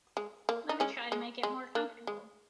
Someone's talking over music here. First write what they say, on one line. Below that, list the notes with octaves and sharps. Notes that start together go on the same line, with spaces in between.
Let me try to make it more comfortable.
G#3
A#3
D#4
G#3 C#4
G#3
G#3
A#3
G#3